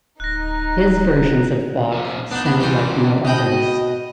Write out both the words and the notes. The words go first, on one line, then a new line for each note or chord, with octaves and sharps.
His versions of Bach sound like no others.
D1 D#4 F#6 A#6
C3 F3
B3 D4 D#4
B3
A#2 E3 G3 C5
B2 D#5 G5 B5